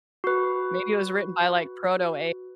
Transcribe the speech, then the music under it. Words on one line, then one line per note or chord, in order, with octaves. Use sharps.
Maybe it was written by, like, Proto AI,
F#4 B4